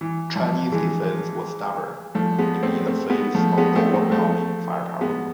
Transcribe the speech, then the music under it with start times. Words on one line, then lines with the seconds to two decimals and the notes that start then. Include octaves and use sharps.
Chinese defense was stubborn even in the face of overwhelming firepower.
0.01 E3
0.36 F3
0.72 E3 G#3
2.15 F3 A3
2.38 G#3 B3
2.62 A3 C4
2.86 A3 C4
3.10 G#3 B3
3.34 F3 A3
3.58 G#3 B3
3.75 A3 C4
3.93 A3 C4
4.11 F3 A3
5.01 G#3 B3